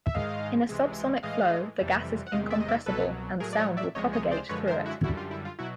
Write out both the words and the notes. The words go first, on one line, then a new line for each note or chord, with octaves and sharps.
In a subsonic flow the gas is incompressible, and sound will propagate through it.
E5
G#2 D#3 G#3 D#5 F5
C#2 C3 E3 G#3
A2 E3 G#3 D#5 F5
F2 C3 E3 G3
F#5
E2 C3 D#3 G#3 D#5 F5
D5 E5
D#5
D5 E5
C2 B2 F#3 A4 B4
A2 F#3 G#4 A#4
D5
C#5 D#5
D5 E5
C#2 C3 F3 G#3 C#5 D#5
C#5 D#5
C5 D5
F#2 D3 F3 G#3 B4 C#5
A#4 C5
E4 F#4
F#2 D3 G3 E4 F#4
F4
E4
F4
B2 F#3 E4 F#4